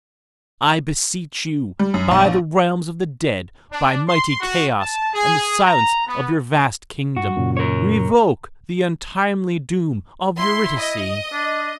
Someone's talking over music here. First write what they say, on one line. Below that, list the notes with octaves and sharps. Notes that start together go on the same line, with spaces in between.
I beseech you, by the realms of the dead, by mighty Chaos and the silence of your vast kingdom, revoke the untimely doom of Eurydice.
G3
F#2
B1
A#1
D4
C6
F#4
A5
G#4
A#5
B3
G2 F#4
F#2 A#2 C#3
A#4 C#5
E4 C6
D#5
D4